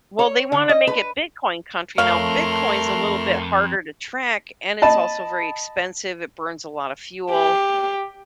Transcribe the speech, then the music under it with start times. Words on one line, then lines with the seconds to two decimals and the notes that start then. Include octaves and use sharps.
Well, they want to make it bitcoin country. Now, Bitcoin's a little bit harder to track, and it's also very expensive, it burns a lot of fuel.
0.19 C#5
0.52 D3
0.69 D#5
0.87 B4
1.98 F2 A3 A#4 C#5 F5 C6
4.82 D#5 A5 B5
7.31 G4